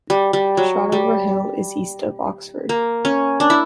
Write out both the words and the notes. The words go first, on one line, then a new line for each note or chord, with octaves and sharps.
Shotover Hill is east of Oxford.
G3
G3
F#3
G3
A#3
C#4
D4
E4